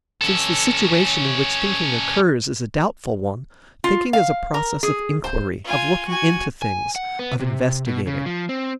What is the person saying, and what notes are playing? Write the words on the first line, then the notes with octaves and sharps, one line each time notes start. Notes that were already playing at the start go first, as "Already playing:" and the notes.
Since the situation in which thinking occurs is a doubtful one, thinking is a process of inquiry, of looking into things, of investigating.
C#4 A4
F4
F5
A#4
G#4
C5
F4 G#5
F#4 G#5
G#5
F#5
B3
C3
B2
C#3
F3
C4